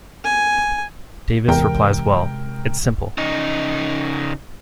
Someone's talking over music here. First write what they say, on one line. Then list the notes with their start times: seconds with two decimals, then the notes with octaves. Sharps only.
Davis replies Well, its simple.
0.24 G#5
1.48 E2 C3 G#3 A#4 G5
3.18 C#3 D#4